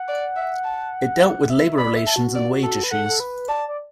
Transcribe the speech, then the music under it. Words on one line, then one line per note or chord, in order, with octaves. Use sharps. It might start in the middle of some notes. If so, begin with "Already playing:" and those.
It dealt with labour relations and wage issues.
Already playing: F#5
D5
E5
A5
F#5
E5
D5 B5
E5
A5
F#4
D5
A4
B4
A4 F#5
A4
B4
D5 A5
D5